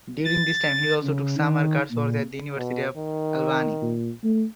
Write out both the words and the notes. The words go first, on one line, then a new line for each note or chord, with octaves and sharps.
During this time he also took summer coursework at the University at Albany.
A6
C#3
D#3
A#2
B2
D#3
A#2
A3